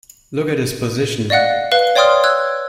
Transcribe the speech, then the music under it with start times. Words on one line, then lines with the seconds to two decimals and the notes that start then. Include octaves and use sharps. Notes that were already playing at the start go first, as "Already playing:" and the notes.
Look at his position.
1.30 D5 D#5 F5 F#5 F#6
1.72 B4 F5 F#6 G7
1.95 C#5 D5 G5 C6 D#6 F6
2.24 E6 F#6 G#6